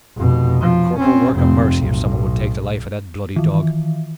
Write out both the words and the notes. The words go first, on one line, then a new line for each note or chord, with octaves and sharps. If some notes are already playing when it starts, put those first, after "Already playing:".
Be a corporal work of mercy if someone would take the life of that bloody dog.
F1 B2
F3
C4 C#4
F1 C4
B1 A2
D#3 E3